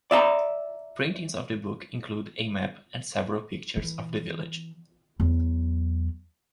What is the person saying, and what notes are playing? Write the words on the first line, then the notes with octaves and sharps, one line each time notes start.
Printings of the book include a map and several pictures of the village.
D5 E5 A5 A#5
E3
E2 F#3